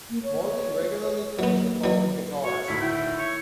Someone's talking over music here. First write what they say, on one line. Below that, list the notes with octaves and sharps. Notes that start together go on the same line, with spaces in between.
Morley regularly plays the following guitars.
A#3
C#5
F#3 A#3 B3
E3 F#3
F#4 C#5
D2 A2 D#3 E4
E4 G5
C#5